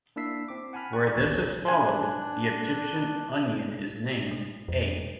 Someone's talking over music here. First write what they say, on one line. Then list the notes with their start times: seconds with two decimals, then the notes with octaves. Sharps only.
Where this is followed, the Egyptian onion is named A.
0.16 A#3 D4 E4 E6 B6 C7
0.48 C4 D6
0.73 F#5 G#5 A5 B5 F6 B6
0.93 G5 C#6 F#6
1.17 A1 D#2 C#4 A6
1.68 D4 G#5 F#6
4.31 G#3
4.68 F2